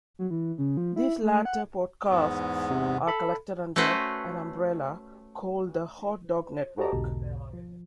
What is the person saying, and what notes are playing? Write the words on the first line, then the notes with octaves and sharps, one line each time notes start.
These latter podcasts are collected under an umbrella called the "Hot Dog Network".
F#3
E3
C#3
F3
E4
A3
F#5
E2 G#2 B3
C3
A4 B5
A3 C#4 F#4 B4 C5
F#4 G4 A4 D#5 A5 A#5
B1 E2 G#2 B2 D3
F3